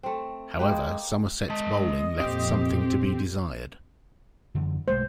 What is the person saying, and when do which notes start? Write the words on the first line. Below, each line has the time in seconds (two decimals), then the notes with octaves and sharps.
However, Somerset's bowling left something to be desired.
0.03 A3 C4
0.59 G#3 A#3 G4 B4
1.49 G#3 D#5 A5
2.20 F2 A#2 C4 G4
4.55 F#2 D3 E3
4.88 B1 G#3 A3 C5